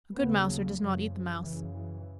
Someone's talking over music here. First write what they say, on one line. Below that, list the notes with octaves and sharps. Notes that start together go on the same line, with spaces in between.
A good mouser does not eat the mouse.
D#2 C#3 B3
F#3
F#2 C#3 F#3
F3
F#2 C#3 E3
E3